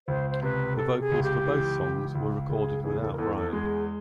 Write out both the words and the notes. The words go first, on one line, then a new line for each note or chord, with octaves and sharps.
The vocals for both songs were recorded without Brian.
C#2 C5
C5
C3 B4
C3 A4
G#4
C#2
G4
E3
C#2
C#2
C#2 G#4
E2 G#4
A4
A#4
E2 A4
A4
G#3 G#4